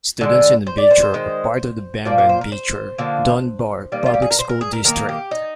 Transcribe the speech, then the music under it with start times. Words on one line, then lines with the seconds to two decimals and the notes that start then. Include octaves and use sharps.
Students in Beecher are part of the Pembine-Beecher-Dunbar public school district.
0.21 D3 G#3
0.67 C5
0.78 D5
0.91 C5
1.02 C5
1.14 D#3 G#3
2.05 A#2 F3 A#3 D5
2.18 D5
2.29 C5
2.41 A#4
2.52 C5
2.98 D3 F3 A#3
3.92 D#3 G3 A#3
4.06 F4
4.14 G4
4.22 G#4
4.31 A#4
4.39 C5
4.49 A#4
4.61 G#4
4.73 A#4
4.85 D#3 A#3 A#4
5.09 G4
5.31 D#4